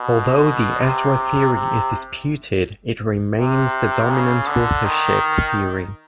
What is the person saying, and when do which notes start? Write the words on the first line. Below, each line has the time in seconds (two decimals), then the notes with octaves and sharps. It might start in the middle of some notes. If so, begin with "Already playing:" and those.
Although the Ezra theory is disputed, it remains the dominant authorship theory.
Already playing: B2
0.81 C3
1.54 C3
3.37 C3
4.11 C#3
4.47 D3
4.85 D#3